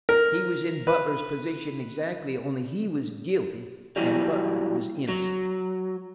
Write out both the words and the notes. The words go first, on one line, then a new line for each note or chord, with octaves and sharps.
He was in Butler's position exactly, only he was guilty and Butler was innocent.
A#4
B4
E3 F#3 G3
F#3